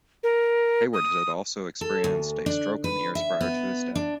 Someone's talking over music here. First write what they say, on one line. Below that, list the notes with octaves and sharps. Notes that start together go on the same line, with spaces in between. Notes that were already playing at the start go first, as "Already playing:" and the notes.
Heyward had also experienced a stroke in the years prior to his death.
A#4
D#6
A4
D2
D4
B4
E5
B3
D4